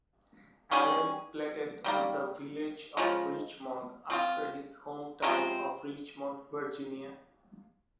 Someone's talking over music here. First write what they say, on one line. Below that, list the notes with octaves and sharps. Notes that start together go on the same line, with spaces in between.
Allen platted the village of "Richmond", after his home town of Richmond, Virginia.
D#3 G3 C#4 G#4
D#3 G3 A#3
C#3 F3 G#3
F3 C4 F4
C3 F3 G#3 C4